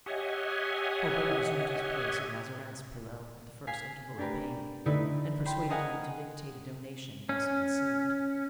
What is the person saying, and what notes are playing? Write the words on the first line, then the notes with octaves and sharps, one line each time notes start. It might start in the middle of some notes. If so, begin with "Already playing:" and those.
Colbert resumed his place at Mazarin's pillow at the first interval of pain, and persuaded him to dictate a donation thus conceived.
G4 C#5 D#5 E5 F#5 G#5
F5 G#5 B6 C7
A3 D4 G4 A#4 B4
D3 A3 D#4 E4 B4
G5 B5 C6
G#4 A#4 D#5 F5 F#5 G#5
C#4